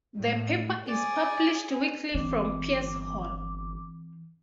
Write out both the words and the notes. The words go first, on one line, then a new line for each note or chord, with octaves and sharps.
The paper is published weekly from Peirce Hall.
A2
G#4 D5
G1 E3 C4 F4 D6